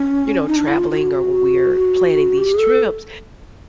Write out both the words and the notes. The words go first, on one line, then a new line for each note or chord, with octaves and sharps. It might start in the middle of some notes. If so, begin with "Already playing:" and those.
you know, traveling or when we are planning these trips,
Already playing: C#4
D#4
D4
E4
F4
F4
F#4
G4
G#4
A4